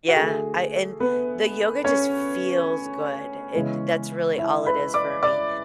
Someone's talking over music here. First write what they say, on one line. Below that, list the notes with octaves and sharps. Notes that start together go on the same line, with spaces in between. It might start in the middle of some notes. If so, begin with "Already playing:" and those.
Yeah. I and the yoga just feels good. It that's really all it is for me.
F#4
D3 A3 G#4
B3 B4
C#4 C#5
C#3 E3 G#3 B3
E4 E5
B4 B5
D5 D6
D5 D6